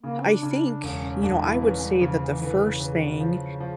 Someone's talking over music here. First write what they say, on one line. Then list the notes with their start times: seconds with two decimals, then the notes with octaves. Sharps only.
I think you know, I would say that the first thing
0.03 C#3 A#3
0.23 D4
0.43 C#3 D4
0.63 D4
0.82 E1 C#4
1.02 C#4
1.22 E1 D4
1.42 E4
1.62 E3 C#4
1.82 G3
2.01 C#3 F3
2.22 E3
2.41 D3 E3
2.67 C#3
2.80 E3
2.94 C#3
3.20 F3
3.60 F3